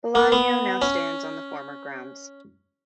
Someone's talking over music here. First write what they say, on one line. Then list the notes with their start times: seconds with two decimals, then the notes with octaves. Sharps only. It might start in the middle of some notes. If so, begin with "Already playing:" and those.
Bellagio now stands on the former grounds.
0.15 A#3
0.32 B3
0.82 C#4